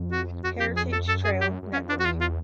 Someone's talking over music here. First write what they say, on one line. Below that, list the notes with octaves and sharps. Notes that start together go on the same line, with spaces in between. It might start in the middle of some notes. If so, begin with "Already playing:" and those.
Heritage Trail Network.
Already playing: F2
F#4
F2 F#4
G4
G#4
A4
F#2 A4
G#4
G4
F#2
F2 C#4
D4
F#4
E2 F4
F4